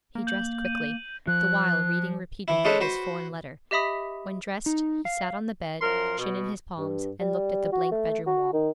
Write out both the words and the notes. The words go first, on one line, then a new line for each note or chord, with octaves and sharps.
He dressed quickly, the while reading repeatedly his foreign letter. When dressed, he sat on the bed, chin in his palms, and looked at the blank bedroom wall.
A#3
G6 F#7
D#7
F3 F#6
E3 E4
G#3 C#4 G#4 A4 B4 C5
F#4 B4 C5
G4 D#5 E5 B5 D#6 B6
D#4
F5
F#2 F3 A#4 C6
B2
G2
G3
F#4
A3
F#4
D#3